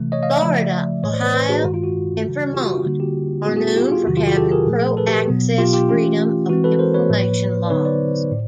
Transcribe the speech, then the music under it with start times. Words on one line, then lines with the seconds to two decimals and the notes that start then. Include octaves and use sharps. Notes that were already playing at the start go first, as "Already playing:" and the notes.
Florida, Ohio, and Vermont are known for having pro-access freedom of information laws.
Already playing: C3 E3 A3
0.12 C#5 D#5
0.23 D#5 F5
0.32 D5 E5
0.42 C#3 F3 A3
1.03 A2 E3 A3 C#5 D#5
1.13 C5 D5
1.23 B4 C#5
1.34 B4 C#5
1.49 F#4 G#4
1.63 G2 D#3 G#3 F#4
1.74 F4
1.84 F#4
2.24 C#3 E3 G3
2.55 F4 G4
2.65 F#4
2.75 F4
2.85 D3 G3 A#3 D#4 F#4
3.00 F4 G4
3.46 A#2 G3 B3 E4 F#4 G#4
3.56 F#4 G#4
3.68 F#4
3.76 F4 G4
3.92 F4
4.07 E2 C3 D#3 F#3 F#4
4.17 F4 G4
4.27 F#4 G#4
4.36 G4 A4
4.52 G#4 A#4
4.67 A#2 F3 A3
4.97 A4 B4
5.08 G4 A4
5.28 B2 F#3 B3
5.58 F4 G4
5.73 F4 G4
5.89 E3 A3 C#4 F4
6.49 E3 G#3 C4 F#4
6.64 A4 B4
6.79 A#4 C5
6.94 B4 C#5
7.10 A2 F3 A#3
7.66 D5
7.70 D3 F#3 B3 D#4 B4 C#5
7.85 C5 D5
8.31 A2